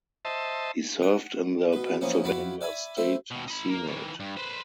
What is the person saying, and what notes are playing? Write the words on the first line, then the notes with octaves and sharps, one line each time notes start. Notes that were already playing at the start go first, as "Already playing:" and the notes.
He served in the Pennsylvania State Senate.
C5 D#5 E5 A5
F#5
B2 B4
E3 F3 A#3 B3 C#4 E4
F2 E4 F#4 F5 B5 D6
D5 E5 G#5 B5
A3 C4 E4 E5
D#2 B2
D#4 B5
A#3
D#3 E3
G2
B4 C5